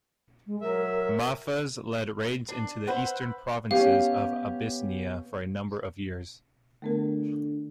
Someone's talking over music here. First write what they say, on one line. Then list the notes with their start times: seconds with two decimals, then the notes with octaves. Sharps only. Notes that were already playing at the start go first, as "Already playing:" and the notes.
Mahfuz led raids into the eastern provinces of Abyssinia for a number of years.
0.47 G#3
0.61 F#3 A#4 E5
0.90 A#4
2.48 D4
2.87 B4 C5 E5 F#5
3.71 B3 C#4 G4 F5
6.82 D3 A3 B3 A#4